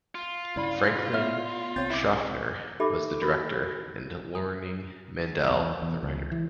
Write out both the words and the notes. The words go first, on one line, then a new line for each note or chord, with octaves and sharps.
Franklin Schaffner was the director and Loring Mandel the writer.
F4
G2 C#3 E4 D5 B5
B3 C#5 E5 F6
C2 C3 C4 C#5 G6 A6
C#2 G2 E4 E5 D6
D#4 G4 A4 E5 B5 D6
F#4 A#4 B5
D#6
E2
E2
C#2
E3